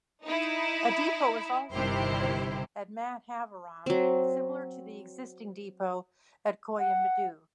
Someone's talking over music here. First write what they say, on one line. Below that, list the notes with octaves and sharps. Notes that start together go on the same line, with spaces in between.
A depot is also proposed at Madhavaram similar to the existing depot at Koyambedu.
D#4 E4
G1 C3 D#3 E4 G4 C5
F#3 C4
F#5